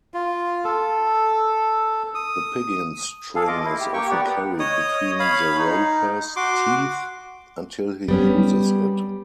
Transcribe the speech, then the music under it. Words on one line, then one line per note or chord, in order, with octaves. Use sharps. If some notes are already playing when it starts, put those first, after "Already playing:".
The piggin' string is often carried between the roper's teeth until he uses it.
F4
A4
D#6
G#4 A4 F5
F4 D#5 D6
E4
G4
A#3 G4 G5 C#6
B3 G4 D5 F#5
C#5 D#5 D#6
C#5 F5 B5
D#4
F#4 C6 D6
G3 B3 C#4